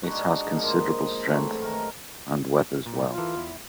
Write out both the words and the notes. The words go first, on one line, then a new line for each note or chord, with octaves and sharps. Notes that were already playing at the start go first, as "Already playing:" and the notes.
It has considerable strength and weathers well.
G#3 D4 D#4 F#4
F3 G#3 A#3
E3 F#3 A3 C4
A2 D#3 A#4
A#2
F4
E3 A4 A#4
E2 E4